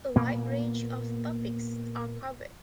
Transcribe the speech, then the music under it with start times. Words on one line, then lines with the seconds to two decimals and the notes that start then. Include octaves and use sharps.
A wide range of topics are covered.
0.16 A#2 A#3 B3